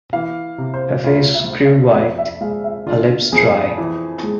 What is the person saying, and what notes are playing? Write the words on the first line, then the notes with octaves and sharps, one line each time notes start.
Her face grew white, her lips dry.
E3 F5
C3
C5
D2 F4
E5
D2
F5
F2 D5
E5
G#3 F5
E5
D3 F4
F2 G#4
E3
G#3